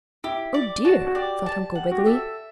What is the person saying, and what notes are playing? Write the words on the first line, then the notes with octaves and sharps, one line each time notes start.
"Oh, dear!" thought Uncle Wiggily.
E4 G4
D5
F#4 A5
F#4
G4 D5
A5
F#5
F#4
G4
A4 E5